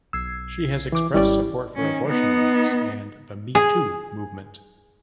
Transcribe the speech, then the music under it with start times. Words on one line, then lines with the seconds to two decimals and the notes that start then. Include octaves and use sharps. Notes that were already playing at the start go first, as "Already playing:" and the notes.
She has expressed support for abortion rights and the Me Too movement.
0.13 B1 E6 G#6 C7
0.92 E3 D6
1.14 G#1 G3 C#4 E4 G4 D5
1.76 D#3 C#4
2.07 B3 D#4
3.55 G#4